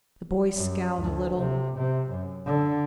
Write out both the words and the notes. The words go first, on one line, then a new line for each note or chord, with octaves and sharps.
The boy scowled a little.
F#2
D2
C3
C3
F#2
D3